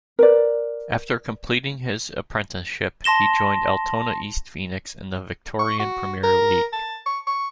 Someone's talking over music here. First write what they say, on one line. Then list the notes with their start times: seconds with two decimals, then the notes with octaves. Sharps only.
After completing his apprenticeship he joined Altona East Phoenix in the Victorian premier league.
0.19 A#4 B4 D5
3.04 A5 C6 A#6 E7 G7
5.59 C#6
5.80 F#4
6.23 A#4
6.73 A5
7.06 C#6
7.27 C#6